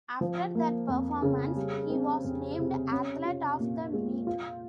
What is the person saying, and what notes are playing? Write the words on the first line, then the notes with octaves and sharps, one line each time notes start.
After that performance, he was named Athlete of the Meet.
F3
A#3
F2
C#3
G3
C4
F2
C3
C#4
F4
A#2
G#3
F4